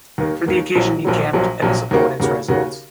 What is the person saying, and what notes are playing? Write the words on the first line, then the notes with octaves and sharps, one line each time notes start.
For the occasion he camped at his opponents residence.
D#2 D#3 A#3
D#2 D#3 A#3
A#1 A#2 F#3
A#1 A#2 F#3
A#1 A#2 F#3
A#1 A#2 F#3
D#2 C#3 A#3 F#4
D#2 C#3 A#3 F#4
D#2 C#3 A#3 F#4